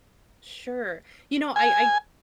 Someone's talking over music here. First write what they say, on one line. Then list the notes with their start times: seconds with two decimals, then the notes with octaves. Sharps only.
Sure, you know, I
1.56 G#5